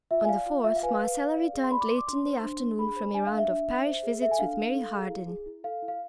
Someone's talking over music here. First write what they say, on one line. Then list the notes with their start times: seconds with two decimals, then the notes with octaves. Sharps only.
On the fourth Marcella returned late in the afternoon from a round of parish visits with Mary Harden.
0.11 F4 E5
0.25 G#5
0.29 D5 F5
0.46 F4
0.64 F4 E5
0.76 F5
0.83 B4 G#5
0.89 F5
1.01 B4
1.18 B4
1.36 D5
1.53 G#4
1.64 C6
1.71 D5 B5
1.81 D6
1.89 D5 C6
1.98 D6
2.07 D4 C6
2.25 C5
2.43 D4
2.61 D4
2.78 G#4 B5
2.96 C5
3.14 D4 G#5
3.27 F5
3.32 D4
3.38 E5
3.49 D4
3.67 D4
3.86 C5
4.03 G#4
4.21 A4 E5
4.31 G#5
4.39 D4 F5
4.57 A4
4.74 A4
4.93 G#4
5.10 E4
5.28 G#4
5.46 E4
5.64 A4 F5
5.83 E4
5.88 F5